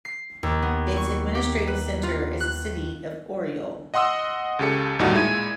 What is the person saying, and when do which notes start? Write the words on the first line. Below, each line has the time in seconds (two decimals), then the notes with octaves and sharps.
Its administrative center is the city of Oryol.
0.05 C7
0.43 D#2
0.62 B3
0.97 C#6
1.35 G4
1.67 B4
2.03 F4
2.40 F#6
3.94 D#5 F#5 C6 D#6 E6
4.59 C#2 C#3 G4 A4 C#7
4.99 G1 D#2 A2 G3 D#4 F#4
5.13 A#2 G#3 E4 G#6 D#7